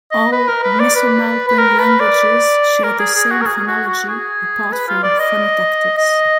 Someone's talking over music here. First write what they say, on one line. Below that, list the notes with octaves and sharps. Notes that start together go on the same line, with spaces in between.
All Misumalpan languages share the same phonology, apart from phonotactics.
D#5
B4
A#4
B4
D5
B4
B4
A#4
B4
D5
A#4
G#4
G#4
F#4
A#4
G#4
F#4
F#4
G#4
B4
F4
D5
D#5
D#5